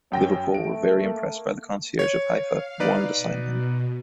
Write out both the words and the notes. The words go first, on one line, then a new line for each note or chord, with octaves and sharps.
Liverpool were very impressed by the concierge of Haifa and wanted to sign him.
F#2 C#4 G5 A#6
A3 D7
A#3
C#5
F5
D#4 B4 D5
B2